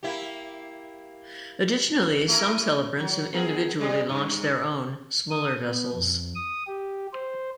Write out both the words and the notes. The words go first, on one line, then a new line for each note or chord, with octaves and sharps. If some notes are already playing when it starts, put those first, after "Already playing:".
Additionally, some celebrants individually launch their own, smaller, vessels.
A#3 E4 G4
A3 E4 A#4
F#3
B3 G#4 A#4
G3 G#3
G2
D#6
B3
F2
D#6
G4
C5